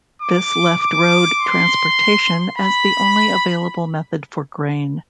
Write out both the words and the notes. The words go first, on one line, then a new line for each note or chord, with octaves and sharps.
This left road transportation as the only available method for grain.
D6
D6
C6
B5